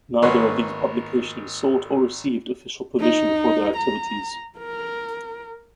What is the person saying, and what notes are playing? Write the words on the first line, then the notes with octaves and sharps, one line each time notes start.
Neither of these publications sought or received official permission for their activities.
G#1 A#3 B4 C#5 F#5 C6
D#4
A#5
A#4